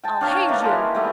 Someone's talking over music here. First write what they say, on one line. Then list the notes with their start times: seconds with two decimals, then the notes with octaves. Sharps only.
I'll haze you!
0.04 G5 A5
0.21 D4 C#5 F5 A#5
0.48 E3 A#3 D#4
0.62 G4 G#4 C6
0.95 G3 A3 B3